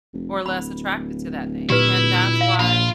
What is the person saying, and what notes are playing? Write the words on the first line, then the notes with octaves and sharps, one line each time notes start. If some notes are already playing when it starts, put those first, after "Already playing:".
or less attracted to that thing, and that's why
F1
D1 B5
A#2 E4 G4 B4
F5
A#1 F4 B5